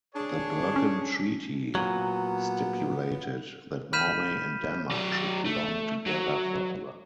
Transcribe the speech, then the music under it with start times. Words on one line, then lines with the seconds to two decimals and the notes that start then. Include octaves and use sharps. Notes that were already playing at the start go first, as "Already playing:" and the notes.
The Bergen Treaty stipulated that Norway and Denmark should belong together forever.
0.15 D4 G#4 C#5
0.76 C#4
1.75 A#2 F#3 B3
3.93 B5 F6 G6 B6 D#7 E7
4.91 F#3 D5
5.45 A3
6.06 F#3